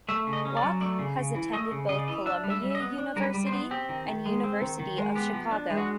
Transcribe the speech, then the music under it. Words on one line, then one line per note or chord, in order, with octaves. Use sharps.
Locke has attended both Columbia University and University of Chicago.
A3 E5
C#3
D#5
C#4
D5
F#3
A3 D5
C#3
C#3
E3
A3 D#5
C#3
C#3 D#5
D5
E3 D#5
D4 E5
G3
E5
G3
E5
D#5
B3
D4
G3 A#4
B4
G3
C5
B3
C4 G4
D#3
D#3
G#3
C4
D#3
D#3
G#3
B3 G4
F3
D4
G#3
F#4